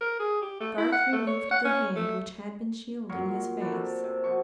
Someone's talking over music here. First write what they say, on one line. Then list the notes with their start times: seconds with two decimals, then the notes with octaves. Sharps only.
Garth removed the hand which had been shielding his face.
0.01 A#4
0.20 G#4
0.42 G4
0.60 A3
0.78 E4
0.93 F#5
1.13 A3
1.27 C#5
1.51 F#5
1.65 C#4
1.96 A3
3.09 A#2 F#3 F5 C#6
3.61 A3 A#3 B4 D5
3.72 C3
4.04 C3
4.24 B2 F3 C#6